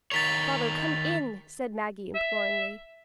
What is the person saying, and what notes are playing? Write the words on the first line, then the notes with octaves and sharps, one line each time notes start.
"Father, come in!" said Maggie, imploringly.
D#3 A#4 C#5 A6 B6 F7
E5